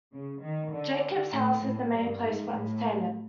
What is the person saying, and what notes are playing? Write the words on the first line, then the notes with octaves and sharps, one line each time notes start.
Jacobs house is the main place for entertainment.
C#3
D#3
D3
A2
A2
G2
G#2
A2